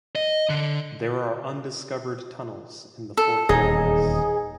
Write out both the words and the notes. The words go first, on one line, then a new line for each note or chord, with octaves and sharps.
There are undiscovered tunnels in the fort walls.
D#5
D3
A4
D#1 E2 D#4 G#4